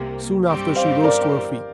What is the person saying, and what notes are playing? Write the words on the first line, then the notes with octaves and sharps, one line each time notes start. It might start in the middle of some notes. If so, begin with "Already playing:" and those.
Soon after she rose to her feet.
Already playing: C2 C3 A#3 G4
G2 G3 C4 G4
C5 F5
A#4 D5